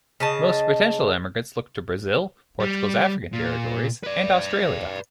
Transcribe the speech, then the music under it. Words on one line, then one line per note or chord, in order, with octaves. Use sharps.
Most potential emigrants looked to Brazil, Portugal's African territories, and Australia.
C#3 D#5 A5
G3
A#2
B4 D5